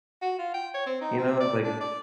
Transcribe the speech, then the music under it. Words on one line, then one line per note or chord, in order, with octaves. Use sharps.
you know, like
F#4
F4
G5
C#5
C4
D#4
C4
D5
D4
D5